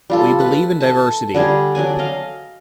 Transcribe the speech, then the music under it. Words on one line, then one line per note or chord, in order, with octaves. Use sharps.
We believe in diversity.
G3 F4 A4
B4 F#5
A4 A5
D3 G3 G#4
F#3 D4 D5 G#5
D#5 F5